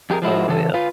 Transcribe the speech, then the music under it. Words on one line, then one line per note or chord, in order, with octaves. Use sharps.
Oh, yeah.
F2 G4 G#4 A#4
F3 G#3 E4 F#4
C#3 E3 A4
F4 B4 F5